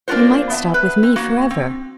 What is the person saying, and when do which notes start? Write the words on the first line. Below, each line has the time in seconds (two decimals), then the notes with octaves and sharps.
You might stop with me for ever.'
0.08 A#3 C4 D4 F4 F#4 C5
0.50 B3 E5 G#5 A5
0.74 B4
1.03 C4
1.16 A#3 F#4
1.51 C4